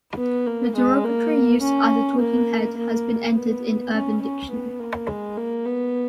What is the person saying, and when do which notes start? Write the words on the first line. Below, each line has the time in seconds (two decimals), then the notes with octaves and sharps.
The derogatory use as a "talking head" has been entered in Urban Dictionary.
0.17 B3
0.46 A#3
0.75 G#3
1.04 A#3
1.61 C#4
2.20 A#3
2.77 A#3
3.36 B3
3.94 C#4
4.21 C#4
4.51 B3
4.80 A#3
5.08 G#3
5.37 A#3
5.66 B3